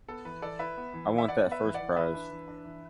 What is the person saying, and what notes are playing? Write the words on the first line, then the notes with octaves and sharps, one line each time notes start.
I want that first prize.
B3 A4
E3 B4
E3 A4 D5
E4 B4 E5
B3
E3
E3
E5
E4 D5 F#5
B3
B4 E5
E3
D5 F#5
E3
E3 B4 E5
D4
E3
D4
E3